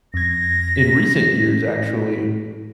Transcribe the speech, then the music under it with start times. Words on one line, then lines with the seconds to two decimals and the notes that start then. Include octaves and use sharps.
in recent years, actually,
0.14 F2 G#6 A#6
0.76 B6